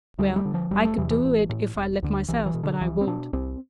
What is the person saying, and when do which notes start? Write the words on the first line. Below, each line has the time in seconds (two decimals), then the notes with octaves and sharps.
Well, I could do it if I let myself, but I won't.
0.19 D2 G3
0.36 G3
0.45 D3
0.54 F3
0.71 F1 G3
0.85 A3
0.98 E2 C3 E3
1.10 E3
1.24 A1
1.49 A2
1.76 E1
2.03 D2 D3
2.28 B1 E3
2.46 E3
2.54 B2
2.63 D3
2.81 C2 E3
3.01 C4
3.07 B2 D4
3.33 C2 C4